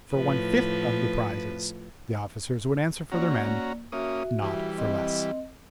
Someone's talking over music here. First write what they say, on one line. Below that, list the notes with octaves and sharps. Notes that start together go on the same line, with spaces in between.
For one fifth of the prizes, the officers would answer for their men; not for less.
A2 F3 B4
A#3 C#4 F#4 D5 A#5
A#3 C#4 F#4 E5 D#6
E3 G3
C4 D#5